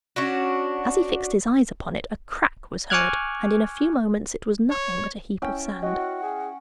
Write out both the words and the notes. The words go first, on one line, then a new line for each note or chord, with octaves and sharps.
As he fixed his eyes upon it a crack was heard, and in a few moments it was nothing but a heap of sand.
C#4 D4 F#4
G#5 C#6 D6 F6 F#6 G#6
C#5
C#4 E4 G5 E6
E4 F#4 D#5 F#5
G#4